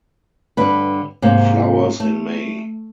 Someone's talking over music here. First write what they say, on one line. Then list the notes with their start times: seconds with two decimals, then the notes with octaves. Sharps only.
Flowers in May.
0.57 G2 D3 B4
1.22 G#2 C3 A#3
2.00 A3